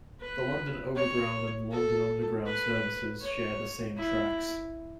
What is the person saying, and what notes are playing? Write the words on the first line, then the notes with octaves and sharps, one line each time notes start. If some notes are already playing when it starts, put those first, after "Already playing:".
The London Overground and London Underground services share the same tracks.
B4
C#5
A4
B4
C#5
E4